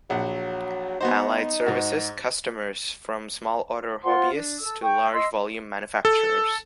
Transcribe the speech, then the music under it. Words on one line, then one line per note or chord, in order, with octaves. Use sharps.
Allied services customers from small order hobbyists to large volume manufacturers.
A#1 F#3 F#5
B3 D#4 F#4 C5
G#2 F#4
F4 C5 F#5 C6
D4
A4 E6
G5 C#6
D#5 C6 E6
A4